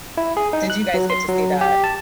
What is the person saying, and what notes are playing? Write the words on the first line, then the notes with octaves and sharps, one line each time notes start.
did you guys get to see that?
E4
G#4
D#4
F#6
F#3
C6
F#3
G4
A5